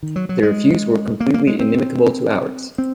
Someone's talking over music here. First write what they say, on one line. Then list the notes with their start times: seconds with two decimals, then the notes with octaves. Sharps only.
Their views were completely inimicable to ours.
0.03 D#3
0.16 F#3
0.29 F#3
0.43 G#3
1.20 A#3
1.34 A#3
1.47 G#3
1.60 C4
2.78 C4